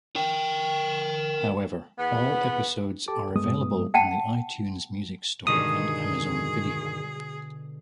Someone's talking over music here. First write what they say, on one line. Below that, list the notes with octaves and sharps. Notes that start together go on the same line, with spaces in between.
However, all episodes are available on the iTunes Music Store and Amazon Video.
A#4 G5
E2 B3
G4 A4 A5 D6
G2 G3 G#3 B3 D#6
F#5 G5 A5
G2 B2 D3 D#3 G#3 G#4 D#6